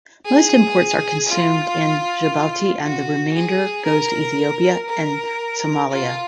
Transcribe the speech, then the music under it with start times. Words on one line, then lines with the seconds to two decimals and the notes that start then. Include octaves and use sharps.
Most imports are consumed in Djibouti and the remainder goes to Ethiopia and Somalia.
0.25 G#4
1.28 F4
2.83 F#4
3.33 G#4
3.85 A#4
4.89 A#4
5.91 F4